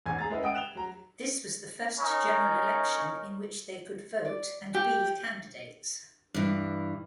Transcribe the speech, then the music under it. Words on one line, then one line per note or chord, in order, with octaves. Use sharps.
This was the first general election in which they could vote and be candidates.
A1 E2 G#2 G#5 G#6
G#4 A#5 A6
G#3 C#4 E4 B4 D#5 E5
F#5 G5 D#6 D7
F#6 E7 F7 G7
F#3 A#5
C#4 D#4 A#4 C#5
D5
G4 G5
G2 E3